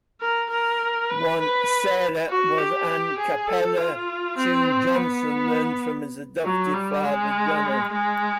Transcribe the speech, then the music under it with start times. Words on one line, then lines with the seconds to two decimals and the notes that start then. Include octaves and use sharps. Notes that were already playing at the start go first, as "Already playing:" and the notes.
One, "Sarah", was an a cappella tune Johnson learned from his adoptive father Johnny.
0.21 A#4
0.50 A#4
1.10 B4
1.40 B4
2.29 F#4
2.58 G4
3.18 G#4
3.47 A4
3.77 F4
4.37 C4
4.95 B3
6.44 F#3
6.74 G3
7.03 G#3
7.93 G#3